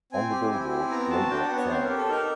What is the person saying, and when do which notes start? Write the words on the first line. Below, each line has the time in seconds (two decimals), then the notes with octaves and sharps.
On the "Billboard" Global Excl.
0.12 C4 G#5
0.32 G4
0.52 E4
0.71 C4
0.91 B3 A#5
1.10 F#4 A5
1.30 D4 G5
1.43 F#5
1.50 B3
1.57 C#5
1.70 C4 C5
1.83 A#4
1.89 G4
1.97 A4
2.09 D#4 A#4